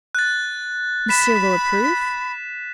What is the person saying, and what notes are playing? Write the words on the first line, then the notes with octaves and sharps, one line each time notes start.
"Monsieur will approve?"
F#6 A6
B5 B6 E7